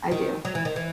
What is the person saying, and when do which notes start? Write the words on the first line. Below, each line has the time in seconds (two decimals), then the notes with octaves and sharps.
I do.
0.11 D#3
0.45 F#3
0.55 E3
0.65 D#3
0.76 E3